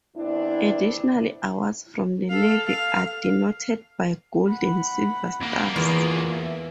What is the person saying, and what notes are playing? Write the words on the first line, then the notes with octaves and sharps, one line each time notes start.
Additional awards from the Navy are denoted by gold and silver stars.
E2 C4 D4 E4
A4 F5
F5
F#5 B5
F2 A#3
E2 F4 G#4
E5